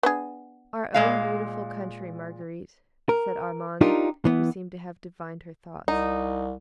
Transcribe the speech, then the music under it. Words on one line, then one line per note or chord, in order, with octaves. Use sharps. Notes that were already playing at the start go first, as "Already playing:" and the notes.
"Our own beautiful country, Marguerite," said Armand, who seemed to have divined her thoughts.
B3 D4 G#4
A#2 G#3 F5
A#4
D4 D#4 F4 G4 A#4
E3 B3
C2 D#4